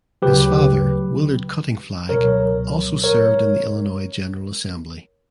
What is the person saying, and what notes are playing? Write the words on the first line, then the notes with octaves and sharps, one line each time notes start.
His father Willard Cutting Flagg also served in the Illinois General Assembly.
D2 C#3 F#3 G4 B4
C#2 B2 F#3 A#4 C#5
A#4 C#5